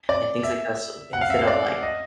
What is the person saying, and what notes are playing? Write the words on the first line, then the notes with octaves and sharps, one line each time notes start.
and things like that, so instead of, like
D5
E5
F#5
F5
E5
F5
D5
D#5